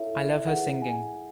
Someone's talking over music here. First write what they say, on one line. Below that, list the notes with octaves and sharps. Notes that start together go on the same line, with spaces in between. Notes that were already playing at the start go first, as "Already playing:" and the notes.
I love her singing.
Already playing: E4 A4 C#5 E5
E4 G#4 B4 F#5
G#5